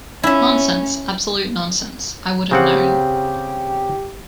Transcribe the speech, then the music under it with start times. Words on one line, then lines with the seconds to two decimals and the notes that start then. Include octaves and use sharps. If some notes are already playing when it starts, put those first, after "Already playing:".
Nonsense, absolute nonsense: I would have known.
0.23 C#4 E4 E5
2.51 C#3 C4 G4 F#5